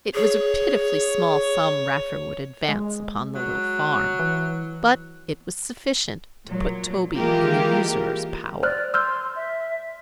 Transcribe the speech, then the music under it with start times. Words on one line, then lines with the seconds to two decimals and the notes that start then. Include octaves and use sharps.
It was a pitifully small sum Raffer would advance upon the little farm; but it was sufficient to put Toby in the usurer's power.
0.14 G#4 C#5
2.68 G#3
3.35 F#3
4.19 E3
6.48 A#2 F#3
7.14 E3 G#3 A#3 F4 G4 A#4
8.63 C5 D5 F6 F#6
8.94 C6 E6 F6 G6
9.36 E5